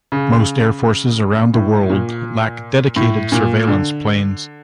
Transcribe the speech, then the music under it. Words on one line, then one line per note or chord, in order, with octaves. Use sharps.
Most air forces around the world lack dedicated surveillance planes.
C#3
A2
A#2
A2
A#2
D3